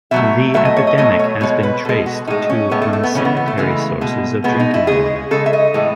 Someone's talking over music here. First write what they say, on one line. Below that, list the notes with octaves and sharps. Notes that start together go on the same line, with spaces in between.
The epidemic has been traced to unsanitary sources of drinking water.
B2 F#3 A3 E5
B2 F#3 A3 E5
D#5
C#5
D#5
B2 F#3 A3 D#5
C#5
B2 G#3 C#5
B4
B2 G#3 A4
F#4
A2 G#3 D#4
C#4
A2 G#3 B3
A3
A3
B3
C#3 E3 G#3 C#4
B3
B3
A3
C#3 E3 G#3
B2 G#3
B2 G#3 B3
D#4
E4
C#3 G#3 G#4
C#3 G#3 A4
E5
D#5
A2 E3 G#3